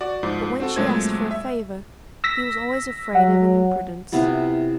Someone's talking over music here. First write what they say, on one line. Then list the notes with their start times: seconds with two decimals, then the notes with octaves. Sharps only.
But when she asked for a favour, he was always afraid of an imprudence.
0.01 F#4 D5
0.23 G#2 F3
0.60 C4 F#4 A4
0.76 A#2 F#3 G#3 A3 C4 G#6
1.31 E5
2.24 E6 A#6 B6
3.15 F#3 F#5
4.12 C3 B3 E4 F4